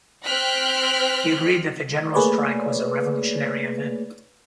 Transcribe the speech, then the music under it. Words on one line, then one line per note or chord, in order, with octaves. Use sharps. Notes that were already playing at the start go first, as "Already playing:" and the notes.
He agreed that the general strike was a revolutionary event.
C4 C5 G5 F6 F#6 B6
A3 A#3 G#4 B4 C#5 D5